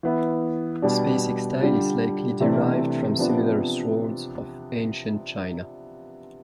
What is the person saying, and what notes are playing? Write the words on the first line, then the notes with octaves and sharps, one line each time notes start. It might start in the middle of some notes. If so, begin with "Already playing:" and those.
Its basic style is likely derived from similar swords of ancient China.
E3 B3 E4
B2 G3 D4
D3 G3 D4 F4
C3 E3 A3 D4
C3 F3 B3 D4 F4